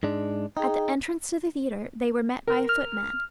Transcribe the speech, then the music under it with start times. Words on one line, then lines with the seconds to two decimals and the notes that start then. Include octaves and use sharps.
At the entrance to the theatre they were met by a footman.
0.03 G#2 G#3 D4
0.57 D#4 G#4 G5
2.47 A#4
2.69 F6